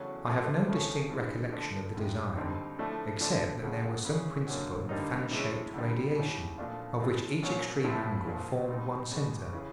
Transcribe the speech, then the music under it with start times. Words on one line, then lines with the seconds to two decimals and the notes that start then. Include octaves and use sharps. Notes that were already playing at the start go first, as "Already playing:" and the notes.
I have no distinct recollection of the design, except that there was some principle of fan-shaped radiation, of which each extreme angle formed one centre.
Already playing: E2 C#3 F#3 A3 C#4
0.26 C3 F3 A3 C4
0.68 C#3 F3 A3 C#4
1.10 G2 E3 G#3
1.52 D3 F3 A3 D4
1.94 F2 C3 D#3 G#3
2.36 D#2 D3 G3 C4 D#4
2.79 A2 F3 A3 D4
3.21 D3 F3 A3 D4
3.63 E2 C#3 F3 G#3
4.05 C#3 E3 G#3
4.47 F#2 D3 F#3 A#3
4.89 D3 G3 A#3 D#4
5.31 A2 E3 G#3 C#4
5.74 F2 D3 G3
6.16 D#2 C#3 E3 G3
6.58 A#2 F3 A3 D4 F4
7.00 A2 E3 G#3
7.42 C2 A#2 F#3 A#3 C#4
7.84 A2 F3 A3 C4 E4
8.26 C2 A#2 F3 A#3
8.68 B2 G3 C4 D#4
9.11 C#2 B2 G#3
9.53 C#3 E3